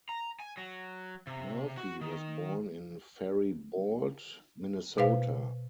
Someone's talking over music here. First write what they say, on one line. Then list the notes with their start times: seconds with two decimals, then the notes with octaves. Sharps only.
Murphy was born in Faribault, Minnesota.
0.09 A#5
0.40 G#5
0.57 F#3
1.27 C3
1.77 F#4
2.01 D#3
4.98 B2 B4 C5 F5